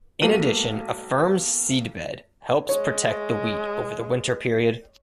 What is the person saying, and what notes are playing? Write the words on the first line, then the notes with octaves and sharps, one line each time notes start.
In addition, a firm seedbed helps protect the wheat over the winter period.
B1 G#2 A3 A#3 D#7
G#3 C#5